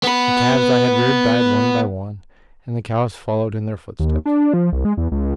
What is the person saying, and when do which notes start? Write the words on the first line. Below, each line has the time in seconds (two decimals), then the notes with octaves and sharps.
The calves I had reared died one by one, and the cows followed in their footsteps.
0.03 B3 B4
3.99 D#2
4.26 D4
4.54 F3
4.72 C2
4.85 G#3
4.97 E2
5.12 C#2